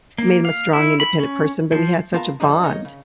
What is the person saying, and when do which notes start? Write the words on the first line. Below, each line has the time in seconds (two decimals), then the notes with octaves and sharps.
it made him a strong, independent person, but we had such a bond
0.18 A#3
0.45 F5
0.73 E4
1.00 B5
1.19 C#4
1.72 F3
2.14 B3 F4 A#4 F5 A5
2.40 G2 C3 F3 G3 D4 D#4
2.63 D#4 A#4 C#5 D#5
2.85 C#3